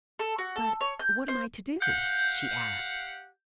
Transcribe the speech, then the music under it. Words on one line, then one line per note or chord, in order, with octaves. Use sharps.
"But what am I to do?" she asked.
A4
F#4
A4
C#5
G6
C5
G4 F5 F#5 G6